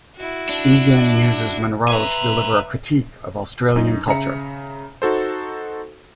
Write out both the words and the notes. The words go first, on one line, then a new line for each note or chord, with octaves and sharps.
Egan uses Munroe to deliver a critique of Australian culture.
E4 F#4
D4
B4 E5 G#5 A#5
F#2 D#4
C#3 E5 A#5 C#7
D#4 F#4 A4 C5